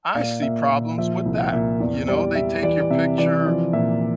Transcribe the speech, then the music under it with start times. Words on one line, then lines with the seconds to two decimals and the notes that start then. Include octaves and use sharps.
I see problems with that, you know? They take your picture,
0.15 A#2 D5 F5
0.42 A#2 E5
0.70 A#2
0.98 F3 E5
1.26 C2
1.52 A#2 E5
1.80 E2 D5
2.08 G3 D5
2.35 G3 E5
2.63 E3 D5
2.81 D5
2.90 C3 E5
3.18 E3 D5
3.46 F3 D5
3.73 A#2 E5